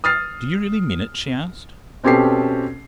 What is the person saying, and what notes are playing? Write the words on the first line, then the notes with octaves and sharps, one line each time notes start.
"Do you really mean it?" she asked.
D#6 F6 A6 C7
B2 C4 C#4 G4 A4 C7